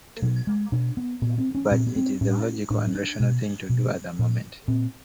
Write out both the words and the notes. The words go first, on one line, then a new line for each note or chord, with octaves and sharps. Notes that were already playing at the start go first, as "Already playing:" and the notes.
But it is the logical and rational thing to do at that moment.
B2 F#3
G#3
B2 D4
B3
A#2 B3
C4
C#4
A#2 C4
B3
C4
A2 C#4
A2 D4
C#4
D4
B2
B2
A#2
A#2 C4